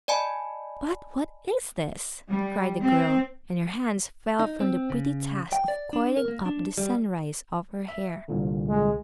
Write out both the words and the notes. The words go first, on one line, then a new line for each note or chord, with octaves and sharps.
"But what is this?" cried the girl, and her hands fell from the pretty task of coiling up the sunrise of her hair.
D5 D#5 G#5 A5 B5
G3
C4
D#4
C4
C#3
G5
D5
D4
A#4
A#3
D4
G3
E5
C2 A#2 D3
G#3